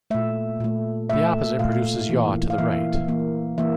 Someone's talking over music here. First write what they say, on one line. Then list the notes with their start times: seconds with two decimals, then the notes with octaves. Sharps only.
The opposite produces yaw to the right.
0.10 A#2 A3 E5
0.60 A#2 A3
1.10 A#2 A3 E5
1.59 A#2 A3 F5
2.09 E3 A#3
2.50 F5
2.58 E3 A#3 E5
3.08 E3 A#3
3.58 E3 A#3 E5